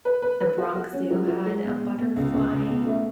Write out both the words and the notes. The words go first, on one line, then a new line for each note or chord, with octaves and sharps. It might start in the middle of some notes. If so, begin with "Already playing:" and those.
The Bronx Zoo had a butterfly
B4
B4
B4
F#4
F#4
C#4
F#3
F#3
G#3
B2
B2
B2
C#2
C#2
C#2
B2
A3